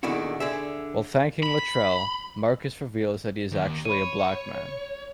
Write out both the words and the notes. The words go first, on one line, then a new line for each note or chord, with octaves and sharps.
While thanking Latrell, Marcus reveals that he is actually a black man.
E2 A#2 D3 D#3 E4 F#4
D3 G#4 E5
B5
D#2
C#5 B5 D#7